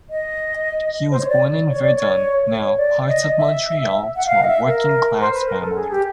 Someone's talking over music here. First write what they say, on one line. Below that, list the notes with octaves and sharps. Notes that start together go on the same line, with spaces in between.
He was born in Verdun, now part of Montreal, to a working-class family.
D#5
C5
C#5
D5
C#5
D5
C#5
C#5
D5
D#5
E5
F#5
F5
D#5
E5
A#4
C5
B4
A#4
A4
G#4
G4